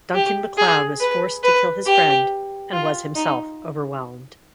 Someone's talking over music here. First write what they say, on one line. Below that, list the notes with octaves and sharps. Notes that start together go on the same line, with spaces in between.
Duncan MacLeod was forced to kill his friend and was himself overwhelmed.
G4
G#4
B4
B4
G4
F4
D#4